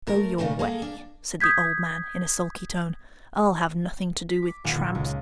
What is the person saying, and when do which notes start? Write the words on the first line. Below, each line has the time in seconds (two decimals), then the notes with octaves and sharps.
'Go your way,' said the old man in a sulky tone, 'I'll have nothing to do with tramps.
0.07 A3 A#4
0.38 A#2 C#3 A3 C#4 A4
0.59 A#3 G#4 A4
0.82 D4
1.40 D#6 G6 G#6 B6
4.29 B6
4.43 D6
4.64 D#1
4.76 D#3
4.95 C#2